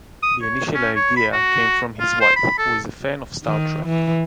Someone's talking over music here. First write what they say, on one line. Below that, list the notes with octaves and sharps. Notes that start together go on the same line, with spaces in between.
The initial idea came from his wife, who is a fan of "Star Trek".
D#6
C#5
C#4
C#5
B5
F#4
F4
C5
B5
A4
D#3
E3